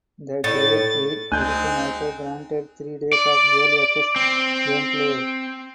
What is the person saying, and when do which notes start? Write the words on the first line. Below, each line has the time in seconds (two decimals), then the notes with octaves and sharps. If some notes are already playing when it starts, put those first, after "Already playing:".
The Great Eight Edition also granted three days of early access gameplay.
0.44 A2 A6
1.32 D2 G#3 C4 D#4 G#5 F#6 G6
3.13 D5
4.16 C4